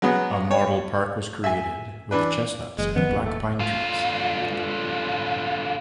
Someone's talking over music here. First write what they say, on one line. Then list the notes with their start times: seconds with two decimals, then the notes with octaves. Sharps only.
A model park was created with chestnuts and black pine trees.
0.02 F#3 G#3 B3
0.51 C#5
1.44 E5 G#5
2.11 E3 D4 B4
2.78 F#1 E3 G#3
2.96 D#3 F3 B3 C#4
3.09 D#1
3.25 A3
3.59 D3 F4